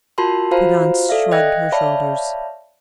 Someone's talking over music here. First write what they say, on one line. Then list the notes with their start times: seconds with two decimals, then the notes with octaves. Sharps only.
Prudence shrugged her shoulders.
0.18 F4 F#4 A#4 A5 B5 C6
0.51 F4 F#4 C5 F5 A#5 B5
1.09 A4 D5 E5 F5
1.31 D#5 F5 G5 F#6 G#6 A#6
1.72 C#5 D5 E5 F5 A5 B5